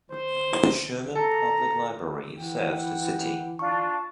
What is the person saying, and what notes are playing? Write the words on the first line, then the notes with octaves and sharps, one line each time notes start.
The Sherman Public Library serves the city.
C5
A4 A#5
E3 F#5 G5
D4 F4 A5 C#6